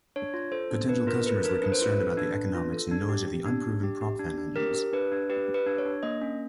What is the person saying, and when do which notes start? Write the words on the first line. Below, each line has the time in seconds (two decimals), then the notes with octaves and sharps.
Potential customers were concerned about the economics and noise of the unproven propfan engines.
0.16 D4 C#5
0.34 F4
0.52 A4 C5
0.71 D4
0.88 D4 B4
1.07 F4 A#4
1.26 A4 B4
1.44 D4 A#4
1.62 D4 B4
1.72 C5
1.81 F4 B4
1.99 A4
2.17 D4
2.36 D4
2.55 F4
2.73 A4
2.91 D4
3.09 G4
3.27 G4
3.45 D4
3.64 D4
3.83 G4
4.01 G4
4.19 D4
4.38 D4
4.56 G4 A#4
4.75 G4
4.93 D4 B4
5.12 D4
5.30 G4 B4
5.48 G4
5.54 B4
5.67 D4
5.78 C#5
5.85 D4
6.03 A#3 D#5
6.22 C#4